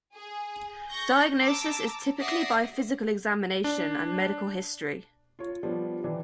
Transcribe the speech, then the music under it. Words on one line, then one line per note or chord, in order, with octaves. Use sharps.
Diagnosis is typically by physical examination and medical history.
G#4
C#6 G6 A#6
A5 A#5 D6 E6
D5 E5 F#5 D#6 A#6 C7
D4
F4 C#5
F3 G3 B3 D4 F4
D#3 E3 D4